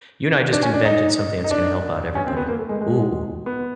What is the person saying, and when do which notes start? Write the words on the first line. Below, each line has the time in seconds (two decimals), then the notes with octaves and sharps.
you and I just invented something that's gonna help out everybody. Ooh!
0.53 D4
0.63 C#4
0.74 D4
0.85 D#4
1.44 D#4
1.51 D4
2.15 C#4
2.27 C4
2.37 B3
2.48 A#3
2.59 A3
2.69 G#3
2.81 G#3
3.46 B3